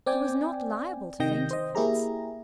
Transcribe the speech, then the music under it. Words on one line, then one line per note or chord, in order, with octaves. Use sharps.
He was not liable to fainting fits.
C4 D5 G5 G#5
C3 D#3 D#5 G5 G6 A#6
C5 D#5
A#3 E4 G4 G#4 A#5